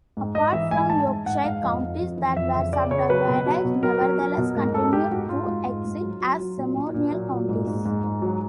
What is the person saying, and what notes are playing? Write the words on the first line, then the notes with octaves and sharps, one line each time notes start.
Apart from Yorkshire, counties that were subdivided nevertheless continued to exist as ceremonial counties.
G#2
G#2 D#5
E3 E5
G#2 G#5
G#2 A5
G#2
G#2 F#5
G#2 F5
F2 D#5
F2
F2
E3
F2 E5
C#3 E5
C#3 D5
C#3 C#5
F#3 B4
B2
F#3
B2
F#3 A#4
F#3
F#3
B2
G#2 A#4
G#2 A4
G#2 G4
G#2 F#4
G#2 F4
G#2
G#2
G#2
F#3
F#3
F#3
A#2
A#2
A#2
F#3
A#2
G#2
G#2
G#2
G#2
F#3